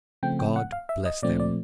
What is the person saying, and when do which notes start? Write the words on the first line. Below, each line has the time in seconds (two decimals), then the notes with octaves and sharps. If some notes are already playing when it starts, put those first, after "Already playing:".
God bless them!
0.23 C#3 F3 A3 C4 G5
0.39 G5
0.56 F#5
0.72 F5
0.89 E5
1.06 D#5
1.23 A#2 F3 A3 C4 D5
1.40 D5